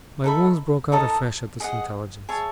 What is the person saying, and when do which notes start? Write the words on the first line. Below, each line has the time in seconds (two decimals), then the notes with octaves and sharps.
My wounds broke out afresh at this intelligence.
0.24 D#4 A4 E5 B5
0.92 D#4 A4 D#5 A5
1.60 G#4 D#5 F#5
2.29 G#4 C#5 E5 A5